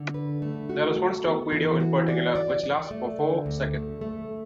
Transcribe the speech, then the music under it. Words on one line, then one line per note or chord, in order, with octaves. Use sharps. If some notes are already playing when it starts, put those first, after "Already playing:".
There is one stock video in particular which lasts for four seconds.
Already playing: D3
B4
A3
F#4
A4
B3
E3
F#4
D5
D5
D5
A3
D3
D2
A3
A3